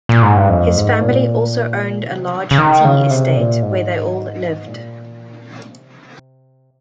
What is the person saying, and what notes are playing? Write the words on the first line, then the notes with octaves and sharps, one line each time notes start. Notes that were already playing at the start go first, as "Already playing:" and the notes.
His family also owned a large tea estate, where they all lived.
A#2
G#2
G2
F2
G#2
A#2
C3
C#3
D#3
C#3
C3
A#2
G#2
A#2
C3